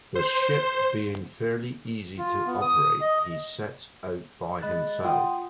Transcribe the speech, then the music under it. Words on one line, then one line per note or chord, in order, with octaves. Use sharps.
The ship being fairly easy to operate, he sets out by himself.
C5
F4
B3
D#6
D#5
G#3 D#5 B5 F#6 A6
F4 F#5 G5 C6 D#6